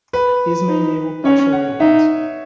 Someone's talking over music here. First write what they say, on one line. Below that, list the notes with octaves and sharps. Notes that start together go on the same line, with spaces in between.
This may enable partial reopenings.
B4
D#4
C#4 C#5
F#5
D#4 E5